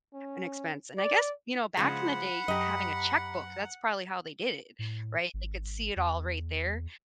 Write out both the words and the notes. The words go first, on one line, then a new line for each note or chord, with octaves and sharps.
an expense. And I guess, you know, back in the day, having a checkbook, that's probably how they did it, right? They could see it all right there,
C#4
D5
C#3 F3 G#3 F#5 B5
F#2 G4 D#5 A#5
A2
G#1
E2